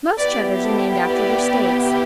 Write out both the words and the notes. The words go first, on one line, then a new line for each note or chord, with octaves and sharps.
Most Cheddars are named after their states.
B3 E4 G4 B4 D5
A4 C5
B4 D5